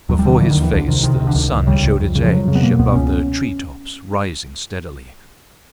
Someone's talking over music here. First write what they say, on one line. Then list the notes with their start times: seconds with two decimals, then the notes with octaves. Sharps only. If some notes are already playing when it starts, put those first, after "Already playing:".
Before his face the sun showed its edge above the tree-tops rising steadily.
0.09 D#2 F#3
0.19 G3
0.25 D3 F#3
0.41 D3 E3
0.50 D#3
0.57 D#2
0.62 E3
0.72 C2 D3
0.88 C3 D#3
1.03 C3 D#3
1.20 C3
1.27 D3
1.35 C#2 D#3
1.51 C#2
1.67 C#3 G3
1.83 C#2
2.00 F2
2.15 C#3
2.23 F3
2.31 F2 F#3
2.48 C#3
2.55 B3
2.62 B2 A#3
2.79 C#2 B3
2.95 C#2 C#4